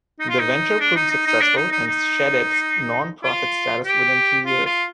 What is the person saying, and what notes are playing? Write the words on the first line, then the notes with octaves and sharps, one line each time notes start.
The venture proved successful and shed its non-profit status within two years.
D#4
F4
D#4
D4
D#4
D#4
D#4
D4
D#4
D#4
D#4
F4
G4
F4
F4